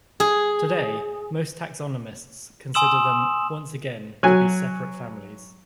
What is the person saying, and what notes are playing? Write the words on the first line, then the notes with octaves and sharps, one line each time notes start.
Today, most taxonomists consider them once again to be separate families.
G#4
G#5 C6 D#6 E6 E7 F#7
F#3 G#5